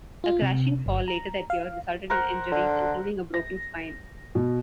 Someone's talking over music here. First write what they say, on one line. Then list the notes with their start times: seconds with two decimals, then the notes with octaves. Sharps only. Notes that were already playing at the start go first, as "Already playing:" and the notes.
A crashing fall later that year resulted in injuries including a broken spine.
0.24 F4
0.42 C3
0.86 G1
1.08 A#5
1.50 F5
2.10 A#4 C5 F#5
2.51 D3
3.34 A#6
4.35 B2